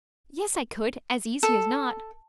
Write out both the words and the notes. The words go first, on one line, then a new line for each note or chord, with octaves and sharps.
"Yes, I could, as easy as not."
A4